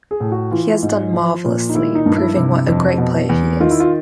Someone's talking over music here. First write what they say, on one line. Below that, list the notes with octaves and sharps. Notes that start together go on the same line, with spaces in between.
He has done marvellously, proving what a great player he is.
G#4
A2
F#4
E3 F4
G#2
F3
A#2
D#4
D#3 E4
D#4
G2
E4
C3
F2
B2
E2
D#3 F4
E4
F4